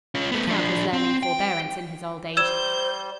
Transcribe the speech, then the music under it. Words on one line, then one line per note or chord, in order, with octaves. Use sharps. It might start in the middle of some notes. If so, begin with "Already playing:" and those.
The count was learning forbearance in his old age.
C#4 F4
A3 B3
F3 D4
C4
G5
G3 C5 E6 G6 G#6 E7